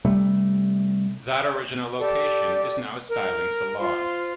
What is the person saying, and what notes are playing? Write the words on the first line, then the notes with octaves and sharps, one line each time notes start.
That original location is now a styling salon.
C3 G3 A3
G4 A4 D5
A#4
F4 C5